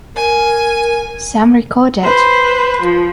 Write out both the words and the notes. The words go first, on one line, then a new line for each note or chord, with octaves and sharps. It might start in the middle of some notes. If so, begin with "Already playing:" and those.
Some record it.
A#4 G#5
B4 C5
F3